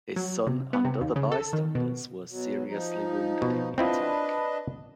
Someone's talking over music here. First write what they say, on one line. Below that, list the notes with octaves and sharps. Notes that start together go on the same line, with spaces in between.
His son and other bystanders were seriously wounded in the attack.
F#3
C3
B3
C3
D#2
C#3
A4
D#3
B2
B2 F#3
F3 D#4
B2
C4 D4 E4 F4 B4 D#5